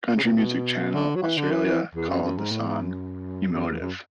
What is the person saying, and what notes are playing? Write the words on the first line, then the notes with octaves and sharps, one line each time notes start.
Country Music Channel Australia called the song "emotive".
C#3
B2
B2
D3
F#3
E3
D3
E3
E3
E2
F#2
F#2
G#2
A2
G#2
F#2
F#2
E2
F#2